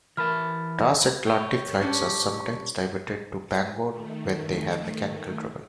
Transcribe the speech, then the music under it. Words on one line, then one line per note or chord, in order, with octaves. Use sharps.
Transatlantic flights are sometimes diverted to Bangor when they have mechanical trouble.
E3 A#4 E5 A5 B5 F6
C#5 G5
G3 C#4 D4
D#3 A3